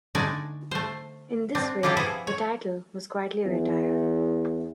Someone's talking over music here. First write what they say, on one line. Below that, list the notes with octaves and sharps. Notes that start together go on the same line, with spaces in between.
In this way, the title was quietly retired.
D3 A3 D4 D#4 D5 G#5
A3 C5
C4 D4
A#3 E4 F4 G4 A4
F3 E4 G#4 B4 F#5
C#5
E2